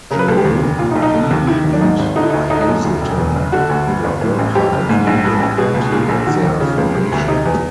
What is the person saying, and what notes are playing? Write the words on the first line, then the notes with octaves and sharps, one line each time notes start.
Jerome, Eden, and Hazelton were all part of Lincoln County at their formation.
C#3 A#4
B4
C#2 A4
G4
D#2
F1
A#2 F4
D#4
B1
D#4
D3
D#2
D#3 E4
D#2
D4
G#2 D#4
G#1
D3 D#4
E4
D#4
D2
D3 D#4
D#4
F#2
D2
E1
E2
F#1
D3 F#4
D2
G2
G1
A2
A1
F2 G4
F#1
G#2
A#1
G2
A1
B2 G#4
C#2
A#2 G#4
A#1
D#3 F#4
D#2
C#3 F4
C#2
C3
D2
C3 D#4
E2